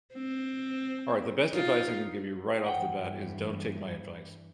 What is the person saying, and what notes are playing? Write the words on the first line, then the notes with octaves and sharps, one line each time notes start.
All right, the best advice I can give you right off the bat is don't take my advice.
C4
D#4 F4
G2 E3 F#5 G5